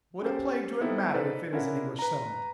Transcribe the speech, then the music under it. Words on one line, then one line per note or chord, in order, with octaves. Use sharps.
What a plague do it matter if it is an English settlement?
C#4 G4 A4 C5
B3 C4 D#4 E4 A4
D#4 A4 B4 C5 D5
C#4 D4 E4 F4 A#4 F#5
B4 A#5